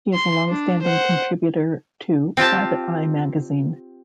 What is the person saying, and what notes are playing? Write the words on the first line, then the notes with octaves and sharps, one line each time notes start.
He is a long-standing contributor to "Private Eye" Magazine.
C6
D4
C5 F#5
C4 F4 G4 A5